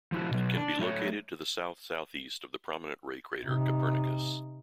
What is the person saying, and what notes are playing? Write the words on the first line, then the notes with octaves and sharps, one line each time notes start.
It can be located to the south-southeast of the prominent ray crater Copernicus.
F3 E4 F#4
B2 F#3
D4
F#3 A3 B4 C#5
C3 D#4